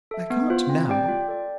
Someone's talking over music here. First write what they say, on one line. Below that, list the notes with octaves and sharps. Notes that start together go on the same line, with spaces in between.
"I can't now."
A4 E5
B3
F4 C5
C4
G4 D5 G5
F4
A4 D5 G5